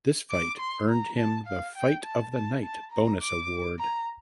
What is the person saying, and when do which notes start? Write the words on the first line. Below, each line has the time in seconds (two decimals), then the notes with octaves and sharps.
This fight earned him the "Fight of the Night" bonus award.
0.31 D6
0.60 C6
0.89 A#5
1.18 A5
1.47 F5
1.76 G5
2.04 A5
2.34 A5
2.63 A5
2.92 A#5
3.22 D6
3.79 A#5